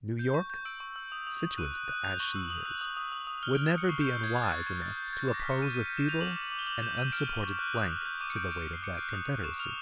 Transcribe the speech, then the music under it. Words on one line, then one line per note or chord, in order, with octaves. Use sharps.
New York, situated as she is, would never be unwise enough to oppose a feeble and unsupported flank to the weight of that confederacy.
G6
C#6
G6
E6 D7
C#6
E6
D#6
D#6
D#6
F#6 D#7
F#6
F#6
G6 F7
C#6 F#7
E6
D#6 F#7
F#6
D#6
D#6
D#6
D#6
F6 G7
D7
F6
F6 C#7
C#6 C7
G6
C#6
G6 G#6
F#6 G#6
A6
C#6 G#6
A6
C#6 G#6
G6 A6
G6
G6 G#6
D6 A6
A#6
B6
F6
C#7
F6 D#7
G6 D#7
D#7
G6
E7
G6 F7
D6 F#7
D6
D6
G7
D6 F#7
G6 E7
G6 D#7
F6 D7
F6
C#6
F#6
D#6
F#6
G6
D6 D#7
C#7
G6 D7
F6 D7
F6 C#7
C7
D6 C#7
F#6 D7
D#6
F#6
C#6 E7
F6 F7